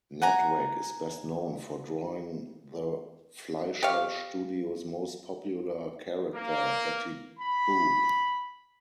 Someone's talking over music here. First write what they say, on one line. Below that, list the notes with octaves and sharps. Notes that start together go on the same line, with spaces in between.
Natwick is best known for drawing the Fleischer Studio's most popular character, Betty Boop.
F#5 G#5 A#5
G4 C#5 F5
A#3
B5